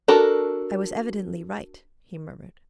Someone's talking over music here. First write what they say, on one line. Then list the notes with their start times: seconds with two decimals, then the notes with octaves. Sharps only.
"I was evidently right," he murmured.
0.08 D4 F#4 A4 A#4